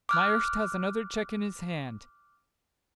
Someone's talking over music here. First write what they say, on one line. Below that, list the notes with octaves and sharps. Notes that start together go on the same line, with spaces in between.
Myerst has another cheque in his hand.
D6 F6 F#6